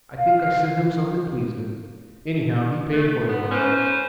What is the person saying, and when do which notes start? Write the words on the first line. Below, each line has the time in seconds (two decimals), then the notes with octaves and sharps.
I think I sent him some that pleased him; anyhow he paid for them all right.
0.18 F5
2.93 A3
3.28 B3
3.51 C#4 B4 C5